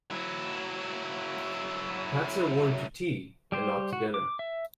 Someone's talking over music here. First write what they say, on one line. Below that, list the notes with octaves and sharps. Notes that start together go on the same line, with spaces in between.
Hats are worn to tea and not to dinner.
F#3 E4
G3 G4 C5
F#4
D6
E5